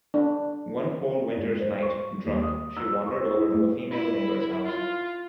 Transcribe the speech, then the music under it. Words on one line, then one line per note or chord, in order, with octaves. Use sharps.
One cold winter's night, drunk, she wandered over to a female neighbour's house.
D4
G#2
C5
C#6
D#2
D#6
E6
C#6
E4
A2
E4
F4